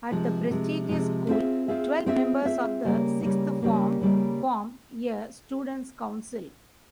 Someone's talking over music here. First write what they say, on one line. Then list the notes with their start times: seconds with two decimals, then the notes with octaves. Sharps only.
At the prestigious school twelve members of the Sixth Form form a Student's Council.
0.11 C3 F3 G#3
0.50 C3 F3 G#3
0.89 C3 F3 G#3
1.28 C4 F4 G#4 E5
1.68 C4 F4 G#4 E5
2.06 C4 F4 G#4 E5
2.45 C4 F4 G#4 E5
2.84 C#3 G3 A#3
3.22 C#3 G3 A#3
3.62 C#3 G3 A#3
4.01 C#3 G3 A#3